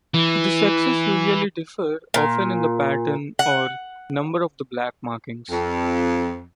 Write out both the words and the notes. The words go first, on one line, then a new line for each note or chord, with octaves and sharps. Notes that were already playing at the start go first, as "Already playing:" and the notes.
The sexes usually differ, often in the pattern or number of the black markings.
E3
A#2
F#5
F2